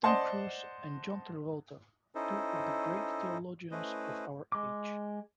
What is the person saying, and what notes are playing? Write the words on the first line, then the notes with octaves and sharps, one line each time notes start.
Tom Cruise and John Travolta - two of the great theologians of our age.
C5 D5 D#5 F#5 A5 C6
C#4 D#4 E4 A4 C5 D#5
A3 C#4 E4 B4 C5 D#5
G#3 D6